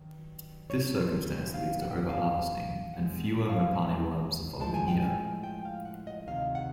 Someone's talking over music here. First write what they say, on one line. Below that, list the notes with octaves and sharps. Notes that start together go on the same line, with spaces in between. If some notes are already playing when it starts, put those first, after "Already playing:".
This circumstance leads to overharvesting, and fewer mopane worms the following year.
Already playing: G2 D#3 F#3
C#5
C5
G2 D#3 F#3 A#3 B4
F5
F#5
G5
F#5
F5
E2 B2 G#3 F#5
F5
E5
A2 F3 G#3 A5
G#5
G5
G#5
G5
F5
F#5
D#5
D2 C3 D#3 F5
F#5